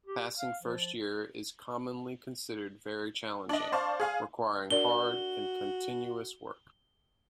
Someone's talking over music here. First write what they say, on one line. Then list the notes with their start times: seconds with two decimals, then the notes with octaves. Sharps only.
Passing first year is commonly considered very challenging, requiring hard and continuous work.
0.06 G4
0.38 F5
0.62 F3
3.49 D4 D#5
3.72 C5 D5 F5 A5 C6 C#6
4.00 G#4 F5 G#5
4.70 D4 F#4 A#4 D5 G7